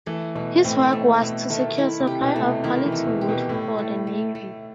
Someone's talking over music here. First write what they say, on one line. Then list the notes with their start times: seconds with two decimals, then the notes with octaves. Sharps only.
His work was to secure a supply of quality wood for the Navy.
0.07 E3 A3
0.35 B2 A3
0.64 A2 C4
0.93 A3
1.21 B2 A3
1.50 D#3 A3
1.78 D#3 E4
2.00 C3
2.07 G4
2.21 B2
2.36 A3
2.43 C3
2.64 D#3 E4
2.86 E3
2.92 A3
3.07 B2
3.21 G4
3.29 B2
3.49 A2 E4
3.78 A3
4.07 A3
4.35 A3